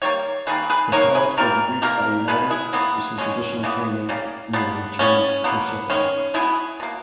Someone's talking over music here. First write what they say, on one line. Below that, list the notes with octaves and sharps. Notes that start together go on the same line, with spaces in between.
The pilots were debriefed by United, received additional training and were returned to service.
D#3 G3 A#3 C#5
D#3 G3 A#3 G#4 B4
G#4 B4
D#3 A#3 A#4 C#5
G#4 B4
C#3 E3 G3 A#4
B2 A#3 G4 A#4
B2 G#3 B3 B4
E4 G#4
E3 G3 A#3 B3
B2 G#3 B3 C#4
C#3 E3 G3 B3
C#3 G3 A#3
B2 G3 A#3 B3
C#3 G3 B3 C#4
B2 A#3 B3
D#3 G#3 B3 C#4
B2 G#3 B3 E4 G#4
B2 A#3